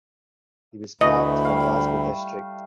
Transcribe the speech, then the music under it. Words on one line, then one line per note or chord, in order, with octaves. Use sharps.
He was capped for Glasgow District.
D2 E3 A3 F#4 D#5 B5
G3 F5